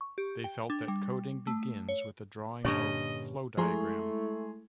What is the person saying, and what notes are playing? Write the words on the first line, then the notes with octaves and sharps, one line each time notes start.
They felt that coding begins with the drawing of flow diagram.
C#6
G4
G5
D4
G3
A3
C#5
G2 A#2 D3 C#4 C#5 D#5 A#5 C#6
F3 G#3 A3 E4 G#4 A#5 C6 C#6